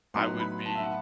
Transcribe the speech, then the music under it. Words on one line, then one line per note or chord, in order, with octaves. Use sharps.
I would be
A2 F#3 B3 D#4 C6
B5
A5
E5
F#5